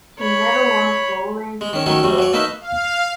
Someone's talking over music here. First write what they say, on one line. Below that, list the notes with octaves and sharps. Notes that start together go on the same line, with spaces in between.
He never won clothing he could wear.
C#5 B5
G#3
D#3 C#4
D#3 F#3 A3 C#4
F#2 G3 A3
F#3 D5
A3 A#3 D#4 B4 E5
F5